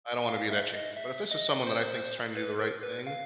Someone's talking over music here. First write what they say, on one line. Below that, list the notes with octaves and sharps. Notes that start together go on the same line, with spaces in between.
I don't wanna be their champion, but if this is someone that I think is trying to do the right thing,
F5
E5
D#5
E5
D#5
C5
B4
A#4
B4
F5